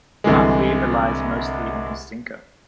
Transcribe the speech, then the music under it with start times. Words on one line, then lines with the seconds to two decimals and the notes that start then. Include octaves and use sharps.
Marquis relies mostly on his sinker.
0.24 C2 D3 E3 G#3